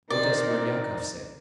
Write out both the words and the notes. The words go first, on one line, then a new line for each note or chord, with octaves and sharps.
What does Smerdyakov say?
C4 D#4 A#4 D5